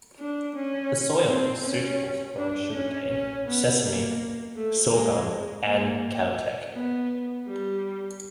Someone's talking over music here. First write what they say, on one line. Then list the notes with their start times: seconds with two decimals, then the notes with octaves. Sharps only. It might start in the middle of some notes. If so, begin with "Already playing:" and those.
The soil is suitable for growing sugar cane, sesame, sorghum and cattle tech.
0.20 D4
0.56 C#4
1.29 C4
1.66 C#4
2.37 D4
2.75 C#4
3.10 C#4
3.48 B3
3.83 A#3
4.56 A3
4.92 G#3
5.65 A#3
6.74 B3
7.47 G3